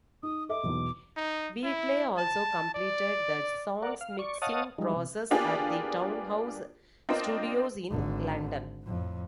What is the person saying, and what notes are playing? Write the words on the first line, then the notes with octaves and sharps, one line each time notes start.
Wheatley also completed the song's mixing process at the Townhouse Studios in London.
D#4 D#6
A4 D#5 E5 D6
B1 E2 B2
D#4
E4
A5
D5
A#4 D5 F#5
F5
D5 C#6
C#5 D#5 F5 F#5 A5 D#6
F3 G3 G#3 D#4
C3
A#3 B3 D4 F4 G4 G#4
C4 D4 F4 A#4 C5 D#5
G#1 D3
F2 A2